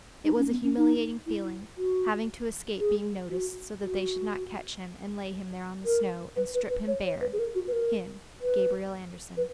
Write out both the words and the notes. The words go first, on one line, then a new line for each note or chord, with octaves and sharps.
It was a humiliating feeling, having to escape being noticed so that they should not catch him and lay him there on the snow and strip him bare--him, Gabriel Andersen.
D#4
C#4
B3
C#4
D#4
E4
F#4
G#4
F#4
F#4
A#4
B4
B4
B4
C#5
C#5
B4
G#4
A#4
F#4
B4
A#4
B4
B4